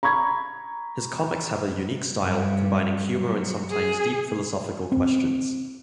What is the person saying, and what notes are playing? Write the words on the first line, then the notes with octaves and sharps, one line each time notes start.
His comics have a unique style, combining humor and sometimes deep philosophical questions.
A#5 B5 C#6 G#6
G2
F#3
G#4
C4